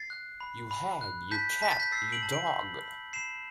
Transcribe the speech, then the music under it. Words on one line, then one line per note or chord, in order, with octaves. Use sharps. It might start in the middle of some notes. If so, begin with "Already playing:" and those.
You hag, you cat, you dog!
Already playing: A6 C7
F#6
B5
B5
F#6
A5 G6 B6
A5 B6
A6
G6 B6
E6 A6 C7
D7 F#7
A5
D7 F#7
B5
B5
B5 C7 E7